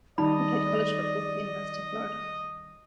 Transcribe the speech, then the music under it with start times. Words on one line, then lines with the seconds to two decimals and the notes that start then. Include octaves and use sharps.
He played college football for the University of Florida.
0.18 D#3 G3 D#4 D5 D#5 B5